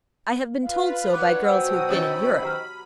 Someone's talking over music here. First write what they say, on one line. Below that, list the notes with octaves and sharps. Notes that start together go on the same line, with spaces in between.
I have been told so by girls who have been in Europe.
F4 B4 F5
B3 D4 B4 C#5 D6 F#6
B2 F#3 C5 F#5 G5 D#6 E6
D#3 C#4 C#5 B5 D#6 A6
G4 A#5 F6